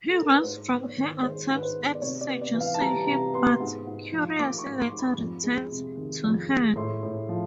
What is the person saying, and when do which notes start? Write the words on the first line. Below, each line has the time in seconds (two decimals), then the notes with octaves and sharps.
He runs from her attempts at seducing him but, curious, later returns to her.
0.10 A4
0.21 A#4
0.32 B4
0.43 G#2 C5
0.71 B3
0.84 C#5
0.97 D#3
1.22 G#3 C5
1.50 G#2
1.55 B4
1.62 C5
1.76 B3
1.95 D5
2.02 C3 C#5
2.21 D5
2.28 B3
2.41 D5
2.54 E3
2.60 F5
2.74 A5
2.80 G3 A#5
3.07 C3 A#5
3.33 B3 C6
3.60 G#2
3.87 G#2
4.13 F3
4.39 A#3 D6
4.58 C#6
4.65 G#2
4.78 C6
4.92 G#2
4.99 B5
5.18 F2
5.44 G#3
5.71 C3
5.97 D#3
6.24 F2
6.50 G#3
6.76 A2 C6
7.03 A2
7.29 F3